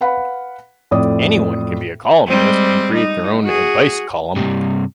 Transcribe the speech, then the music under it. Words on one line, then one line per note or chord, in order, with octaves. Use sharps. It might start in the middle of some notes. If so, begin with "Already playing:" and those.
Anyone can be a columnist and create their own advice column.
B4 F5 F#5 B5
F2 A2 D5 D#6
G3 G#3 C4
D#4
F#4 G#4
G2 C3 G3